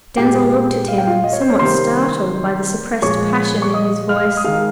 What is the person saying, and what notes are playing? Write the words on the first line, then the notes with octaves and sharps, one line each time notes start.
Denzil looked at him, somewhat startled by the suppressed passion in his voice.
A#2 G#3 G4 G5
F5
G5
F4 F5
D#5
C#5
C5
C#4 C#5
C3 D#3 G3 A#3 C5 C6
A#2 F3 G#3 C#5 C#6
C#6
D#5 D#6
F5 F6
D#6
D#3 G#3 F5 F6